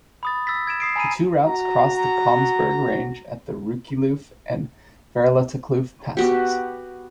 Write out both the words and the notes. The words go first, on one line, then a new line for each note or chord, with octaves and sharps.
The two routes cross the Komsberg Range at the Rooikloof and Verlatekloof passes.
B5 D#6 A6
E6 A6 B6
G#6 D7 E7
D#6 C7 D7
G#5 A#5 B5 D#7
F#4 A#5
B3 F#4 G4